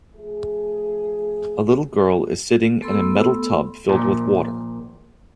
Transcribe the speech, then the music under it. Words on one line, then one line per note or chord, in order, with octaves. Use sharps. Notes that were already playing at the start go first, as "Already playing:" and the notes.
A little girl is sitting in a metal tub filled with water.
F3 A3 G#4
A3 B3 A4 B5 C6 E6
A#1 A#2